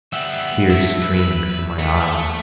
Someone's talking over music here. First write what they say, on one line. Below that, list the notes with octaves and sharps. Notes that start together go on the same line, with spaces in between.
Tears streamed from my eyes.
G3 B3 E5 F#5
A3 E4 E5
B4
A3